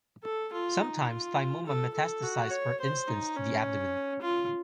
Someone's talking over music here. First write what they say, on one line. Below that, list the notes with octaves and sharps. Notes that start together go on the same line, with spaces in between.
Sometimes thymoma metastasize for instance to the abdomen.
A4
F4
D#4
F4
A4
A4
F#4
C#5
C5
D#4
C#4
F4